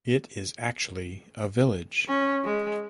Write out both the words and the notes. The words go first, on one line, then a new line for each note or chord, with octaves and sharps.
It is actually a village.
C#4
G#3